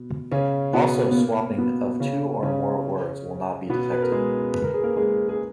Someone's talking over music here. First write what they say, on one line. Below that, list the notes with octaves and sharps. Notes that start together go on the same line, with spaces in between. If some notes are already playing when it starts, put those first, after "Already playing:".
Also swapping of two or more words will not be detected.
Already playing: B2
C#3 C#4
B2 B3
B3
A#3
B2 B3
C#3 C#4
C#3 C#4
B2 B3
B4
A#4
G#3 G#4
B4
A#4
G#4
A#3 A#4
G#3 G#4
G#4